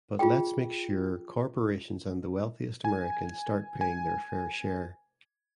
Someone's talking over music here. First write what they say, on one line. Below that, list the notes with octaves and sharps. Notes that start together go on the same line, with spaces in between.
But let’s make sure corporations and the wealthiest Americans start paying their fair share.
F4 G#4 G5
G#5
G#5